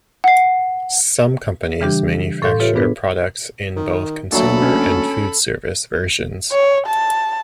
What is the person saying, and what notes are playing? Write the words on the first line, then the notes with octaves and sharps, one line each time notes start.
Some companies manufacture products in both consumer and foodservice versions.
F#5 C7
C#3 E3 G3 D4 G4
A2 A4 F5 C6 G6
F4 G4 A4 B4 C#5 E5
B3 D4 G#4 B4
D#3
D2 A#2 F#3 E4 A4 B5
C#4
C#5
A5